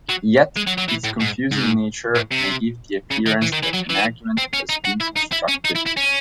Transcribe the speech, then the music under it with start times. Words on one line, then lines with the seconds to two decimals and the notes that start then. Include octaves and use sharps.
Yet its confusing nature may give the appearance that an argument has been constructed.
0.09 F#3
0.56 G#3
0.67 F#3
0.78 F#3
0.88 E3
1.04 A2
1.20 G#2
1.52 G#2
2.15 A2
2.31 C3
3.11 C#3
3.26 D#3
3.42 E3
3.53 D#3
3.63 E3
3.74 F#3
3.90 E3
4.38 C4
4.53 C#4
4.69 D#4
4.85 F#4
5.01 E4
5.17 D#4
5.33 E4
5.49 C#4
5.65 D#4
5.75 E4
5.86 E4
5.97 C#4